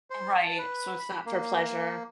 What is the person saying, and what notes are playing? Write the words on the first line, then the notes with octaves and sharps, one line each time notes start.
Right, so it's not for pleasure.
C5
A5
B4
B5
A#3